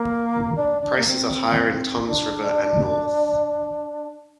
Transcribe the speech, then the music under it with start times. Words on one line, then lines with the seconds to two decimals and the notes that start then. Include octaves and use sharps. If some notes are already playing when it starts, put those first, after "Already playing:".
Prices are higher in Toms River and north.
Already playing: A#3
0.56 D4
0.81 D4
0.97 A#3
1.06 C4
2.06 D4